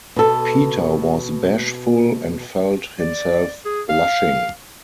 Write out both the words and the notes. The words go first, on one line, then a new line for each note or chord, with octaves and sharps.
Peter was bashful and felt himself blushing.
B2 A4
D5
G#4
F5